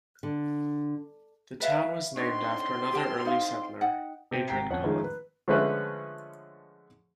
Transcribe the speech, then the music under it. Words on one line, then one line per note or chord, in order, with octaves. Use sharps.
The town was named after another early settler, Adrian Cullen.
D3
B4 E5 F5
A2 C4 D4 D#4 C#5 C6
G4 G5 A5
D#4 F5
D#4 F#5 G5
C3 C4 G5 D#7
G#1 G5 A#5 B6 C7
F2 C#4 F#5 A5
D#3 F3 G#3 A3 C#4
B4
D3 F3 G#3 A3 C#4 B4